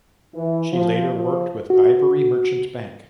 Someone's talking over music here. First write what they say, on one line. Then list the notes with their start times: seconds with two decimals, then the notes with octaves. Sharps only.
She later worked with Ivory Merchant Bank.
0.35 E3
0.73 F3
1.15 F3
1.70 F#4